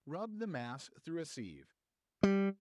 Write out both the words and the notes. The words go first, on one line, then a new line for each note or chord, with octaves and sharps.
Rub the mass through a sieve.
G3